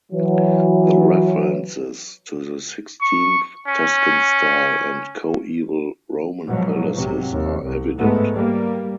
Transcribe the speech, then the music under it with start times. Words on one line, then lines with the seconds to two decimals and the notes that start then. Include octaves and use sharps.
The references to sixteenth Tuscan style and coeval roman palaces are evident.
0.12 E3 F#3
3.02 C#6
3.68 C#4
6.46 G#2 B2 F3 F#3
6.95 B1 G#2 C3 F#3
7.30 D#2
7.63 C2
7.97 G#2 G#3 A3 B3
8.32 G3 A#3